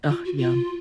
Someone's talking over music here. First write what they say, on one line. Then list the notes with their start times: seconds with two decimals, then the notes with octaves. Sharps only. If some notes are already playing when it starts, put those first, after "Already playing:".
Ah, yum.
0.10 F4
0.25 F#4
0.38 F4